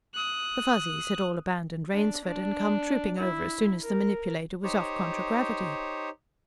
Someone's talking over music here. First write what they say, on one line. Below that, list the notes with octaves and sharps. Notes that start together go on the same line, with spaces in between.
The Fuzzies had all abandoned Rainsford and come trooping over as soon as the manipulator was off contragravity.
D#6 F#6
D4
D4
E4
A#4
D#4 G4 C5 C#5